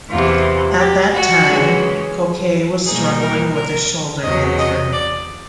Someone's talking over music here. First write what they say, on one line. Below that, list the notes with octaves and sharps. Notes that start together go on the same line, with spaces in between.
At that time Cochet was struggling with a shoulder injury.
E2 C3 E3 F4
G4
F#4
C#3 E3 G#3 C#4
B2 G3 A#3 D#4 G#4
A#4
A#4
E2 C#3 F#3 D#5
D#5
D5